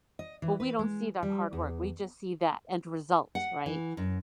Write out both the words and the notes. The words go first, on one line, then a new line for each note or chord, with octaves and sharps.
but we don't see that hard work, we just see that end result, right?
D#5
E3
B4
G#3
G3
E2
F#5
E3
F#2